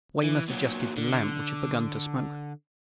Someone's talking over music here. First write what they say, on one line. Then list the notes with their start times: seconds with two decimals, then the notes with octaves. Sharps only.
Weymouth adjusted the lamp which had begun to smoke.
0.23 E3
0.48 A#2 F#3
0.97 D3